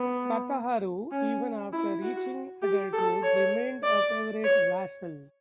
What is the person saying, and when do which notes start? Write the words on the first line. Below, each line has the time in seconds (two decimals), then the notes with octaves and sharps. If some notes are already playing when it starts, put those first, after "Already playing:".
Kataharu, even after reaching adulthood, remained a favorite vassal.
Already playing: B3
1.11 C#4
1.73 E4
2.02 F#4
2.62 G4
2.93 A4
3.23 C#5
3.83 D5
4.44 C#5